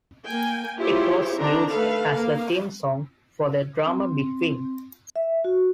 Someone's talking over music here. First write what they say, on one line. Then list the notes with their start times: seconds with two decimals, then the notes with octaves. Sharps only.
It was used as the theme song for the drama "Big Wing".
0.25 A#3 G5 G#5
0.78 E4 F4 G4 G#4 C5 C#5
1.38 D3 D#3 C4 D4 A#5
1.74 A3 A4 B4 F5
2.15 A#3 F5
3.87 C4
5.16 E5
5.44 F#4